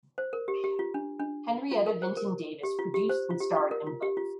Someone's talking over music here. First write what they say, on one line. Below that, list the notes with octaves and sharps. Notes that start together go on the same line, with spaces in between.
Henrietta Vinton Davis produced and starred in both.
C5
A#4
G4
G4
F4
D4
D4
F4
A#4
C5
A#4
G4
F4
G4
C5
F4
G4
F4
A#4
F4
G4
F4